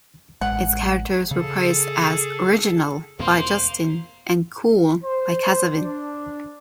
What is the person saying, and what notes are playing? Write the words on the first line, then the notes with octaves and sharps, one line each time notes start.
Its characters were praised as "original" by Justin and "cool" by Kasavin.
A1 G#3 F#5
C#3 G#4 A4
E2 B2 A3 A#3 C5 F5 C6
C5
D4